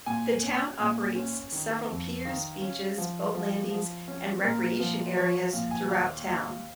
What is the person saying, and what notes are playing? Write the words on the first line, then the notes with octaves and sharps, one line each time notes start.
The town operates several piers, beaches, boat landings and recreation areas throughout town.
A#2 G#5
C#4
A#2
C#4
D#3
F2
D#3 F5
C#4
F3
F3
F3
C#4
A#2 A#4
F3
F3 C#5
C#5
A#2 F5
G#5
D#2 F5
D#2